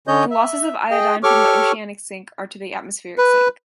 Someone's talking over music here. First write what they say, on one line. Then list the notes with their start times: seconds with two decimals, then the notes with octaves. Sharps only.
The losses of iodine from the oceanic sink are to the atmospheric sink.
0.07 D3 C#4 C#5 D#5 G6
0.31 E5
0.90 G#4 D#5 G5
1.23 G4 A4 C#5 C#6 D6 F6
3.18 B4